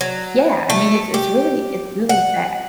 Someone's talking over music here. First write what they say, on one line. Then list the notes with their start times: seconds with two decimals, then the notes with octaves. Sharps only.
Yeah, I mean, it's it's really it's really sad.
0.01 F#3
0.70 A3
1.14 G4
2.09 F#5